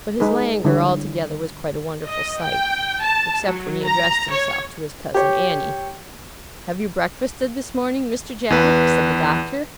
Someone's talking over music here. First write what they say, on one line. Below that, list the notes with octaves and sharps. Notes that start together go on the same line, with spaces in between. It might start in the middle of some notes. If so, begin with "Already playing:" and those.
But his languor altogether was quite a wonderful sight; except when he addressed himself to his cousin Annie. 'Have you breakfasted this morning, Mr. Jack?' said the Doctor.
G#3 D#4 G#4 B4
D3 G3 E4 C#5
D#5
G5
A5
F#3
A#5
C#5
G4 C#5
E2 B4